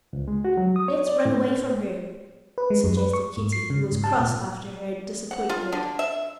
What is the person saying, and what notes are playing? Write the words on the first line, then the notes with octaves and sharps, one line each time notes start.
"Let's run away from her," suggested Kitty, who was cross after her disappointment.
C#2
G#3
F#4
F#3
D#6
C#5
D5
A2
C#4
B4
G#3
F#2
B4
C#6
G#2
C7
C#3
G#2
A5
A#2
F#5
F4
D3
E5